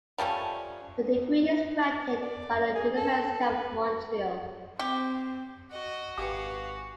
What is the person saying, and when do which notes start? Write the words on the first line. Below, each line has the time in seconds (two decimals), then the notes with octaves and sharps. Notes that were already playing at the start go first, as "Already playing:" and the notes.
The degree is granted by the University of Montreal.
0.18 F3 G3 A3 C#4
2.21 D5
2.75 G#4
2.96 A4
3.41 B4
4.79 C4 G4
5.72 F#4 D#5
6.18 G#1 G4 B4 F5 G#5 D6 C#7